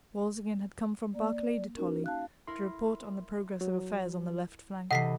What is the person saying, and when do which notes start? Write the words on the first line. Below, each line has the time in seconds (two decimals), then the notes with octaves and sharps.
Wolzogen had come from Barclay de Tolly to report on the progress of affairs on the left flank.
1.15 A#3 D5
1.77 C#4 D#4 F#4 A#4
2.06 F5 A5 F#6
2.47 E4 A#4 C6
3.61 F#3
4.91 C3 E3 A4 D#5 F#5 B6 C7